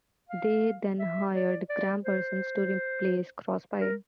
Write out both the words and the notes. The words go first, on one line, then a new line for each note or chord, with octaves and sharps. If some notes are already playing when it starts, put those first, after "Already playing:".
They then hired Gram Parsons to replace Crosby.
F5
E5
D5
D5
C5
A#4